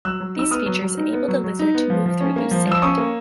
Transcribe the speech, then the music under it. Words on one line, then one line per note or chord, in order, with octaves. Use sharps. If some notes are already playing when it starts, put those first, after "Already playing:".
These features enable the lizard to move through loose sand.
F#3 E6 F#6
F#3
D#4 E6
B3 D#6 F6
F#3
F#3
D#4
B3
F#3
F#3
D#4
B3
F3
F3
C#4
A#3
F3
F3 E6
C#4 C#6 D#6
A#3